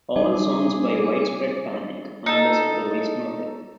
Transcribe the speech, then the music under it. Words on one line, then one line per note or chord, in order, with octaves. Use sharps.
All songs by Widespread Panic unless otherwise noted.
G3 D#4 G#4 D6
D#4 A4